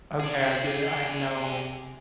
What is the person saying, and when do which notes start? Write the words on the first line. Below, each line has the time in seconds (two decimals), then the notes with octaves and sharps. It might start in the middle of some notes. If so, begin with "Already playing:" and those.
"Okay, I get it, I know.
0.20 G#4 D5